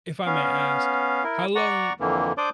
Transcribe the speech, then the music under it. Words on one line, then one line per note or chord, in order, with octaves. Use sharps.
if I may ask, how long
B3 C#4 F5
E4 A#4
D5 F#5 A#5 C#6
F2 D3 E3 A#3
D4 C5 D5 D6 D#6 G6